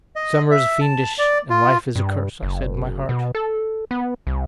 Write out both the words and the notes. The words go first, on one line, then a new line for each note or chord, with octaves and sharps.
Summer is fiendish and life is a curse, I said in my heart.
D#5
E5
A5
D5
F4
G2
F#1
B2
A4
B3
C2